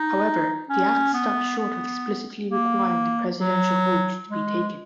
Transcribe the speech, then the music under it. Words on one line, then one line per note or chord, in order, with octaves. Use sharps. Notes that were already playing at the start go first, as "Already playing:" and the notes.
However, the Act stops short of explicitly requiring the presidential oath to be taken.
Already playing: D#4
C#4
B3
B3
A#3
F#3
G#3